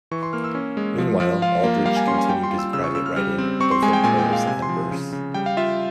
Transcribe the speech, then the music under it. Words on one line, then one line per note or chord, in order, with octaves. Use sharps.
Meanwhile, Aldrich continued his private writing, both in prose and verse.
E3 C#6
C6
A#3 F6
E6
C#4
G#3
F3
F3
F4 F5
A#3
G3 F5
G#5
C#4 C6
G#5
G3 G5
C6
F4
E6
C#3 E6
C#6
C#3 E6
F6
G3 F6
C4
C4 C#6
C6
G#3 G#5
G5
A#2 G#5
G5
G#3
F5
C3 G#5
C6
F3
C#3
C#3
G3 G5
F5
F4 E5